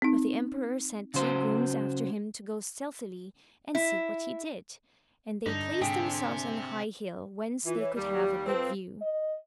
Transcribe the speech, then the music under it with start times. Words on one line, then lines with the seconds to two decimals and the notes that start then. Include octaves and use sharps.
But the emperor sent two grooms after him to go stealthily and see what he did, and they placed themselves on a high hill whence they could have a good view.
0.02 C4 D#4
1.14 C#3 F#3 C5
3.75 E4
5.46 G2 D3 D#4
5.81 G#2 C3 G#4 G5 D#6
7.65 E3 F4
7.80 C#5
7.95 D#2 G3 G4
8.47 F2 C4 B4
9.02 D#5